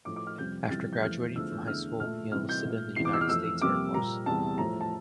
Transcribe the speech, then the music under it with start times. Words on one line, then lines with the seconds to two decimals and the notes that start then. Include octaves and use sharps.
After graduating from high school, he enlisted in the United States Air Force.
0.05 A2 F3 A3 D6
0.16 D6
0.27 F6
0.38 F2 C3 G3 G6
0.70 F2 C3 E3 G3 A6
0.93 G6
1.02 F2 E3 A3 F6
1.35 E2 D3 F3 A3 E6
1.67 E2 D3 A3 F6
2.00 A#2 A3 F6
2.32 C3 E3 G3 F6
2.49 G6
2.64 A#2 A3
2.96 E3 C7
2.99 E2 C3
3.05 D6
3.13 E6
3.21 F6
3.29 F2 E3 A3 E6
3.61 F2 C3 G3 A#3 D6
3.93 A#2 G3 A#3 A#5
4.26 E2 C3 G3 A5
4.58 A2 F3 A3 A#5
4.81 A5